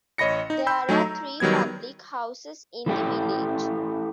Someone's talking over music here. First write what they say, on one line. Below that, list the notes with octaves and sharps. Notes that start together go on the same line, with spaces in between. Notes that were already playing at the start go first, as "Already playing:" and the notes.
There are three public houses in the village.
A1 C#5 D#5 B5 A#6 C#7
D#4
G5 B5 E6 G6
F#3 A3 D#4
A#5
D#3 F#3 G3 B3 G#6
E3 A3 G4